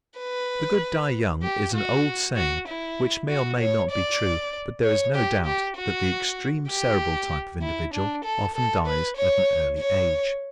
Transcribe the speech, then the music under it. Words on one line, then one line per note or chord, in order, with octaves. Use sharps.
"The good die young" is an old saying which may or may not be true. But there is no doubt that the extreme Cerebral type of individual often dies at an early age.
B4
G4
F#4
F#4
E4
F#4
C#5
D5
C#5
G4
G4
F#4
G4
E4
D4
A4
A4
B4
C#5
C#5